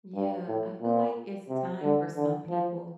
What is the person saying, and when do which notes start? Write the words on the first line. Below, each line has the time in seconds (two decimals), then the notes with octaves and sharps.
Yeah. I feel like it's time for some people,
0.14 G2
0.48 A2
0.82 A#2
1.49 C3
1.82 D3
2.16 D3
2.50 F3